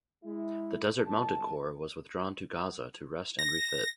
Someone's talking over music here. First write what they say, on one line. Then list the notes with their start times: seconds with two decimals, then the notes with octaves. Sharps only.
The Desert Mounted Corps was withdrawn to Gaza to rest and refit.
0.23 G#3 E4
0.99 G1 C2 A5
3.39 A#6